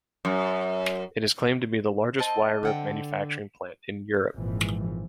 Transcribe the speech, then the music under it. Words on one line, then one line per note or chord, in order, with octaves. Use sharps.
It is claimed to be the largest wire rope manufacturing plant in Europe.
F#2
C4 D#5 A5
D3 F#5 G5
G#1 A#2 E3 F3